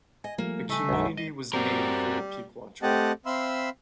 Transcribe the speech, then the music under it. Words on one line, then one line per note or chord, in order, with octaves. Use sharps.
The community was named for the Piqua tribe.
D#5 G#5
F3 G3 A3 A#3
C#3 G3 A3 D#4 E5 G#5
B1 F#2 G#3
D#5
G3 C4 F#4 A#4
A3 C4 G4 D#5 F#5 A5
C4 E5 F5 B5 C6 E6